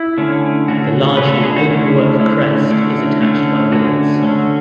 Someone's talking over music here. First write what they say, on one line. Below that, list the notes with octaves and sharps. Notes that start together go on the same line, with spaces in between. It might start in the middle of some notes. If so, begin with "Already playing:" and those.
The largely openwork crest is attached by rivets.
Already playing: E4
D3 A3 C#4
D3 A3 C#4 F#4
D3 A3 C#4 B4
A4
G#4
F#4
D3 A3 C#4 E4
D3 A3 C#4 E4
D3 A3 C#4
D3 A3 C#4
D3 A3 C#4 F#4
D3 A3 C#4